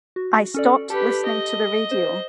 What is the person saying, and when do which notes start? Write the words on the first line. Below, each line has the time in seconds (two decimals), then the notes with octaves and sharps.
I stopped listening to the radio.
0.16 F#4
0.54 C#4 A4 D5
0.90 G4 A4 B4 A5
1.25 D#5
1.91 C5